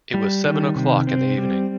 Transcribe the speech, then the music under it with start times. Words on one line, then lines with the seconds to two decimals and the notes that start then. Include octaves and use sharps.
It was seven o'clock in the evening.
0.14 G3
0.45 D#3
0.75 C3
1.07 C4
1.38 G3